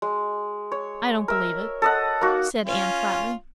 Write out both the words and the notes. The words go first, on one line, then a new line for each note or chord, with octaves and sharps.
"I don't believe it," said Anne flatly.
G#3
C#5
A#4 E5
A4 D#5 F#5
A#3 D#4 F#4
C#4 F4